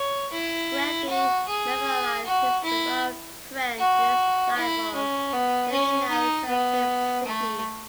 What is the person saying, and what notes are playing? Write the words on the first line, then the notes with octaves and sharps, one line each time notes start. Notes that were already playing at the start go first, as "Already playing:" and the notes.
Greville memorialized his beloved friend in his Life of the Renowned Sir Philip Sidney.
Already playing: C#5
E4
F#4
G#4
F#4
E4
F#4
E4
C#4
B3
C#4
D#4
B3
A3